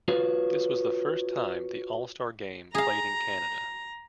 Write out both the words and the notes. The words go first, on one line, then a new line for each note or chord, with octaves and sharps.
This was the first time the All-Star game played in Canada.
F4 F#4 B4 C#5
G#4 F5 A#5